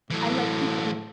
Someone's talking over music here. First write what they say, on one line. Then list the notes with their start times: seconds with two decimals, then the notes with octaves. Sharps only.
I like people to
0.10 A2 E3 F#3